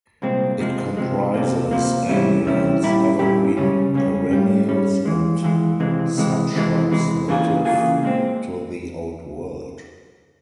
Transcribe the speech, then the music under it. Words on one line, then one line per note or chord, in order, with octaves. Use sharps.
It comprises annuals, evergreen perennials and subshrubs native to the Old World.
C2 A#2 G#3 C4
C3 F3 G#3
C3 F3 G#3
C3 F3 A#3
C3 F3 A#3
E2 C3 G3 C#4 E4
E2 C3 G3 C#4 E4
A#2 G3 C#4 E4 G4
A#2 G3 C#4 E4 G4
C#2 C#3 G3 C#4
C#2 C#3 G3 C#4
G2 G3 C#4
G2 G3 C#4
F2 E3 G#3
F2 E3 G#3
C#2 C3 E3 G#3
C#2 C3 E3 G#3
E2 C3 E3 G#3
E2 C3 E3 G#3
C#3 E3 A#3 F4 G#4
C#3 E3 A#3 F4 G#4
A#2 G#3 C4